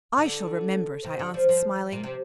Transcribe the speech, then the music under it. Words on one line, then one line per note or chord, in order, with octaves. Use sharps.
'I shall remember it,' I answered, smiling.
D3
C3
D3
F3
F3
A#2
C3